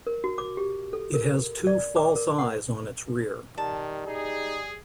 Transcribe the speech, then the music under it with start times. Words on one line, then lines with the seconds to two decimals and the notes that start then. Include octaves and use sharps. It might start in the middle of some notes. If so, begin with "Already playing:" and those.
It has two "false eyes" on its rear.
0.07 A#4
0.24 F#4
0.38 D6
0.57 G4
0.93 A4
1.14 A#4
1.67 D5
1.96 D6
2.16 A#4
2.38 F#5
3.58 D#3 G3 A5
4.07 D#4 G#4